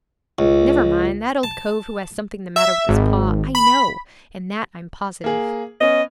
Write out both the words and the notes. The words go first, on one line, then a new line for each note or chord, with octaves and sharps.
"Never mind, that old cove who has something the matter with his paw I know, and that I'm positive."
C#2
A5
E5
G#1
B5
A#3 G#4
B3 C#4 D#5